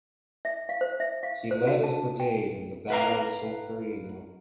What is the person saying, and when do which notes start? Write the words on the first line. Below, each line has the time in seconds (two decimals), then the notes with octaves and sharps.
He led his brigade in the Battle of Solferino.
0.45 E5
0.69 F5
0.81 C5
1.00 E5
1.23 F5
1.51 C5
1.67 F#4
1.83 A5
2.20 G5
2.90 B4 F5 A#5